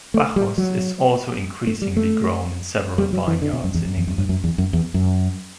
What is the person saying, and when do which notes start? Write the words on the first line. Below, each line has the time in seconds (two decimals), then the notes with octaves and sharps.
Bacchus is also increasingly grown in several vineyards in England.
0.14 A3
0.36 G3
0.58 F#3
1.67 A3
1.82 G3
1.97 A3
2.98 G3
3.13 F#3
3.27 E3
3.42 D3
3.53 B2
3.64 F#2
3.74 E2
3.85 F#2
3.97 E2
4.07 F#2
4.18 G2
4.29 F#2
4.44 E2
4.58 F#2
4.73 E2
4.94 F#2